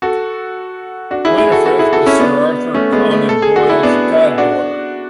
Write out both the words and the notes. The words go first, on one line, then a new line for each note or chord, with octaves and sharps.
Winnifrith was Sir Arthur Conan Doyle's god-daughter.
F#4 A4
D4 F#4
E4 G#4
E4 G#4
F#4 A4
F#4 A4
E4 G#4
F#4 A4
C#4 E4
B3 D4
A3 C#4
G#3 B3
A3
A4
G#4
F#4
E4
B3 D4
D4 F#4